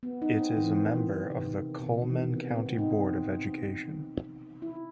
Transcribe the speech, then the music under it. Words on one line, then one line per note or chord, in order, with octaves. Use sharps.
It is a member of the Cullman County Board of Education.
B3
D#4
C4
D#3
E3
E3
C3
D#3
B2
C3
D#3
E3
B3
B3
C4
C4
D#4
E4